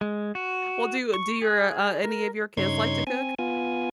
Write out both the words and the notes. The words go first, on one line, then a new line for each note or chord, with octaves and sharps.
Well, do you do your, uh, any of your kids like to cook?
G#3
F#4
C#6
G#4
A#4
G2 C#3 D#4 C#5 C6 G#6
C4 G#5
B3 F4 G#5